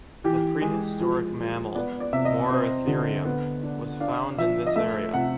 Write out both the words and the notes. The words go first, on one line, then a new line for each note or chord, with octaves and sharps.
The prehistoric mammal "Moeritherium" was found in this area.
E3 G4
G#3 G#4
F3
F3
B3 D5
D5
C3 E5
D#5
C4
D3
B3
D4
D4 F5
F3 E5
D#5
A3 E5
C3 F#5